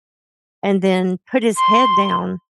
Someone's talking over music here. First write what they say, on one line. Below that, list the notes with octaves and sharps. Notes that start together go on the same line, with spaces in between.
and then put his head down
C6